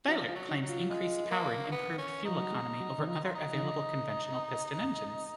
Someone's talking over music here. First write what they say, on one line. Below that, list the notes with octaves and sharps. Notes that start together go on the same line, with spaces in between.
Thielert claims increased power and improved fuel economy over other available conventional piston engines.
F3 F#4
F4
F#3
D#4
F#3
F4
G#3
A#3
B3
C#4
F3 D#4
F#3
G#3
F#3
D#3
F3
F4
D#4
D#3
F3